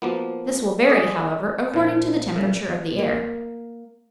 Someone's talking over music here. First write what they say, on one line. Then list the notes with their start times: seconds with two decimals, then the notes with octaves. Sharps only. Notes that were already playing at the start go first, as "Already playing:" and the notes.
This will vary, however, according to the temperature of the air.
0.02 F3 A#3 B3 F4 F#4
0.89 G#4 A4 D5 D#5
1.74 A#2 F3
2.36 A#2 C#3 F#3 G3
2.99 A#3